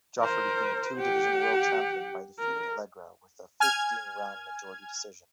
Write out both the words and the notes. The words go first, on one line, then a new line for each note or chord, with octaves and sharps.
Jofre became a two-division world champion by defeating Legra with a fifteen-round majority decision.
A#4 C5
G4 F#5
A#4
G#5 F6 G#6